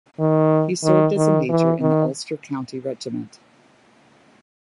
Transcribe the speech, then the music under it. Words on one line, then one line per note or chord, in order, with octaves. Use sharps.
He served as a Major in the Ulster County Regiment.
D#3
D#3
D#3
E3
D#3